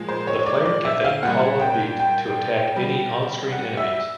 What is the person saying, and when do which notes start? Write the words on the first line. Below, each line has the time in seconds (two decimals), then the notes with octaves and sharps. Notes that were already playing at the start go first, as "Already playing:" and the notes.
The player can then call on Beat to attack any onscreen enemies.
Already playing: A#2 F3 G#3
0.09 C5
0.27 C#5
0.39 C#5
0.46 D5
0.66 D5
0.85 E5
1.04 F5
1.23 A#2 G3 F#5
1.61 G5
1.99 G5
2.76 B2 G3
3.52 F#5
3.77 E5